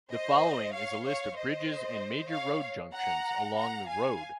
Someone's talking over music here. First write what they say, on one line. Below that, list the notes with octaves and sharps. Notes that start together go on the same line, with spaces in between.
The following is a list of bridges and major road junctions along the road.
C5 D#5
C#5 F5
C#5 F5
C5 D#5
C#5 F5
F#5 A#5
F#5 A#5
F5 G#5